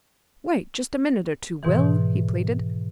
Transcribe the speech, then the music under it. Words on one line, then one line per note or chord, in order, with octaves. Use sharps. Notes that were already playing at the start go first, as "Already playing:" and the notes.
"Wait just a minute or two, Will," he pleaded.
G#2 B2 D#3 E3